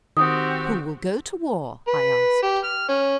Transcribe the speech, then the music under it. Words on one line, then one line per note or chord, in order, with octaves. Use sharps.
"Who will go to war?" I asked.
D#3 C4 F#4 G4 D#6
B4
G4
F6
C#4